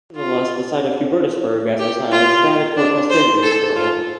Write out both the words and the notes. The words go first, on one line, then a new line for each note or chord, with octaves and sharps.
Nevertheless, the days of Hubertusburg as the site of ecstatic court festivities were over.
F4
G4
F4
D4
C5
A4
F4